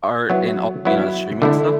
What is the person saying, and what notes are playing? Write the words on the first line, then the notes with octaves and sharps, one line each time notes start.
Art and also, you know, the streaming stuff,
F#3 B3 E4
F#3 B3 E4
D3 A3 E4